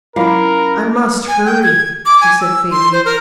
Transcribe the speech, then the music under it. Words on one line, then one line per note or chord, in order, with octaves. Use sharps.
"I must hurry," she said faintly.
F#3 C#4 E4 F4 A#4 F5 B5
G#5
G5
G#6
D6
G#5
E6
C6
C5
A#4